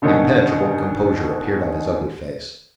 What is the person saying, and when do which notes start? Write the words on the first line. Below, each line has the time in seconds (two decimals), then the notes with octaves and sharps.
Impenetrable composure appeared on his ugly face.
0.02 B2 D3 D#3 C#4 D#4